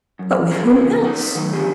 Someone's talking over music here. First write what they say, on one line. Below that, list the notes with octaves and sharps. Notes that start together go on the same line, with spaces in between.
"But with whom else?"
F#2
C#4 E4 F4 G#4 A#4
E2 C#3
D#4 B4 F#5
D#3 F#3 A3
B2 D3 F3 G4 G#4